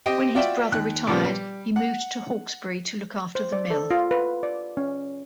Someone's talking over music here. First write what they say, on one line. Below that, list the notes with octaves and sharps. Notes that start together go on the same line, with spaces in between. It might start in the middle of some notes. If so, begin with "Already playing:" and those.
When his brother retired, he moved to Hawkesbury to look after the mill.
C4 G4 C5 D#5 G5
F4 F#4 D5 E5 G5
D#2 F#6
A#2 C#3 F3 G3 B3
G3
F#5
C5
D5
A4
F4
B4
D5
C#4